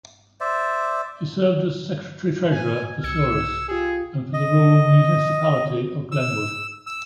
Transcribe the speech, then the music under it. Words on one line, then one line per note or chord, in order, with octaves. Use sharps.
He served as secretary-treasurer for Souris and for the Rural Municipality of Glenwood.
C5 D5 E5
G#5
C2 E6 G#6 C#7
F4 G4 G#4
D#5
E6
E6